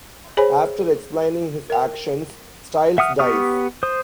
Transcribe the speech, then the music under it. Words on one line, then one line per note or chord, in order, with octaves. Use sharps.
After explaining his actions, Stiles dies.
G#4 C5 C#5 G#5 B5
A#4 G5
E5 F#5 D#6 F6
B3 G4 C#6 D#6 F6
C5 D#6